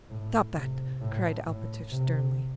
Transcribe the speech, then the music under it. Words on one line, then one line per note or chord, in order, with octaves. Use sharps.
"Stop that!" cried Alpatych sternly.
A2
C3
A2
A2
C3